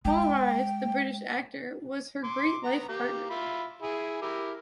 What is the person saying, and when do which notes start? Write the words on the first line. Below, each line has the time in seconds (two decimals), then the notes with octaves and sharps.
Paul Rhys, the British actor was her great life partner.
0.05 G#3 G5
2.24 C6 D6
2.63 B3 A#5
2.89 A#3 G4
3.30 F4 E5 B5
3.82 E4 G#4
4.22 E4 G4 A#4